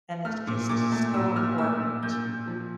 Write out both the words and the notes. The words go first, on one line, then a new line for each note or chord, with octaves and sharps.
and it's just so important.
A3 F6
A#2
A#2 D6
A3
A#2 E6
A#2 F6
A3 E6
A#2
A#2 G6
A#2
F3